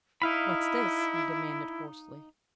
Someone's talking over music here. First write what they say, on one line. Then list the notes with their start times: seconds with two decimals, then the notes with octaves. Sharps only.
"What's this?" he demanded hoarsely.
0.22 D#4 E4 F5 B5